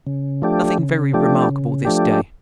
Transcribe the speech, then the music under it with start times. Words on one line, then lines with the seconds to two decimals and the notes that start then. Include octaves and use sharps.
Nothing very remarkable this day.
0.07 C#3
0.42 F3 A3 D4 G4
0.78 C#3
1.13 F3 A3 D4 G4
1.49 C#3
1.85 F3 A3 D4 G4